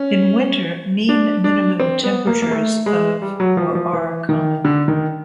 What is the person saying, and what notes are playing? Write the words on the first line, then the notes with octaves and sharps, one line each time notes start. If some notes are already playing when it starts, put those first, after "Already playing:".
In winter mean minimum temperatures of or are common.
Already playing: C#4
D4
D4
C4
B3
A#3
A#3
A3
G#3
G3
F#3
F3
E3
F3
E3
D#3
D3
D#3